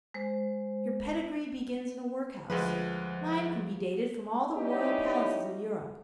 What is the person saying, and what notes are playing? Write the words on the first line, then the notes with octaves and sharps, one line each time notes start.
Your pedigree begins in a workhouse; mine can be dated from all the royal palaces of Europe.
G#3 C5
D2 F3 G#3 B4
G3 C#4 D#4 E4 G4